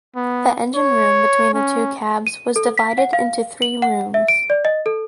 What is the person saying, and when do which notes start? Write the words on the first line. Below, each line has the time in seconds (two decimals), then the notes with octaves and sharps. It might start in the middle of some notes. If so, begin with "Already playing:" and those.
The engine room between the two cabs was divided into three rooms.
0.16 B3
0.75 C#5
1.54 C#4
2.27 D#7
2.56 A4
2.78 B6
2.98 F#5
3.13 F5
3.62 F#7
3.82 F#5
4.14 E5
4.28 D7
4.50 D5
4.65 D#5
4.86 A4